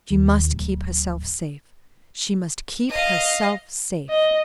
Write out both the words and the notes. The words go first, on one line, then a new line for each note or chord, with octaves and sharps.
She must keep herself safe--she must keep herself safe.
D#2
D1
D#5 F5
D#5